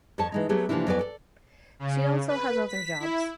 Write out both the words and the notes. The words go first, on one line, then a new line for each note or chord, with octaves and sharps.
She also has other jobs.
F2 A4 C#5 A5
E3 G#3 D#4
F#3 A3 B3 G4 G#4
C3 E3 F3 A#3 D4 E4
F2 F#3 B3 E4 D5 G#5
A4 D5
C#3
B4
B6
E4